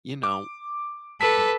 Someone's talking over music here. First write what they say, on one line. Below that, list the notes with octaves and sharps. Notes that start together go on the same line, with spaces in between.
you know,
D6
A4 B4 B6